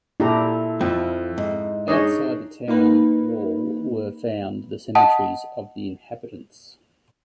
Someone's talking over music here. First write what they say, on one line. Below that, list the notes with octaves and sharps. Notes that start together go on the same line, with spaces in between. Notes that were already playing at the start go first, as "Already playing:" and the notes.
Outside the town wall were found the cemeteries of the inhabitants.
A#2 D4 E4 G4 A4 A#5
F2 F3
G#2
D4 D#4 G#4 C#5 D#5
A#3 D#4 B4
D#5 F#5 A5 D#6